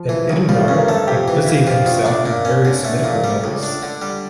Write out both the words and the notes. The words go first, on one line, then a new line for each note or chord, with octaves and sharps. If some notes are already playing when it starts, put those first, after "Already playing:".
In Edinburgh he busied himself in various medical matters.
Already playing: F3
E3
C#2
F3 G3
A3
G2 C#4
A#4
A3 A4
F2 G4
E3
F2
F3 G4
D2 F4
D4
A#2
C#4
D3
A3 D4
E3
A#2
F3
G3 A3
C#2
D4
D3
G3